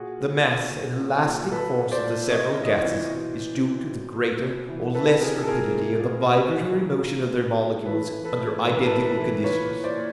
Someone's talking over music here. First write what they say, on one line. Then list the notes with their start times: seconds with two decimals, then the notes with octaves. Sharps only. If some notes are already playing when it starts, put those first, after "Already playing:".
The mass and elastic force of the several gases is due to the greater or less rapidity of the vibratory motion of their molecules under identical conditions.
Already playing: A#2 F#4 G#4
0.20 A#2
0.46 A#2
0.72 A#2
0.99 A#2
1.25 A#2
1.51 A#2 A4 B4
1.79 A#2
1.91 C5 D5
2.05 A#2
2.30 C3 C#5 D#5
2.57 E3
2.64 D#5
2.70 C5 D5
2.84 E3
3.11 B2
3.36 B2
3.62 B2
3.89 B2
4.16 B2
4.42 B2
4.69 E3
4.94 C3 A4 B4
5.21 C3 G#4 A#4
5.43 A4
5.47 A#2 G#4 A#4
5.75 A#2
6.00 A#2
6.27 B2
6.54 B2
6.81 B2
7.06 A#2
7.33 A#2
7.60 A#2
7.85 E3 A4 B4
8.12 E3
8.25 A4 B4
8.38 A2
8.64 E3 B4
8.76 A#4
8.86 A2 A4 B4
9.04 A4 B4
9.18 E3
9.44 A#2 B4 C#5
9.71 A#2
9.84 C5 D5
9.97 A#2